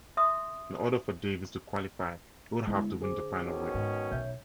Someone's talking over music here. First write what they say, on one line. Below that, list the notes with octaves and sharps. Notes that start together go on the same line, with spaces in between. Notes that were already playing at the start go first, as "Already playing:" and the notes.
In order for Davis to qualify, he would have to win the final race.
E5 C6 D#6
D3 G#3 B3 E4
G#4 C5 D6
B2 D#3 C#4
G#2
B1 C#5 E5 G6